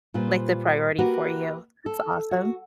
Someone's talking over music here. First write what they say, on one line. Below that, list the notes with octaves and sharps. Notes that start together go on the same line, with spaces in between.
Like the priority for you. That's awesome.
A#2 G3 F4 B4 C5
A#3 F#4 G4 A#4 B4
A4
F#4